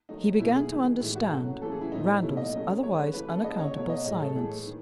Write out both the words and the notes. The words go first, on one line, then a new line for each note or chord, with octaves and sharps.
He began to understand Randal's otherwise unaccountable silence.
D#3 F#3 A3 D#4
B2 A3 E4
G#4
D#3 G#3
A2 E3 G#3 E4
F#4
C#3 F#3 A3
C#3 E3 A3 A4
G#4
E4
A2 F#3 A3 D#4
B2 A3 E4
D#5
C#3 F#3 A3
C#3 G#3 C#5
B4
C#3 E3 A3 B4
A4
C#3 G#3 D#5
C#5
B2 F#3 A3 C#5
D#5
A2 G#3 C#5
A4
A2 E3 G#3 G#4
D#3